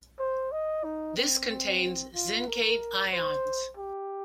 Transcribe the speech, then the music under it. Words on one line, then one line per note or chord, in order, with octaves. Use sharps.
This contains zincate ions.
C5
D#5
D#4
C4
C4
F4
A#4
C5
G4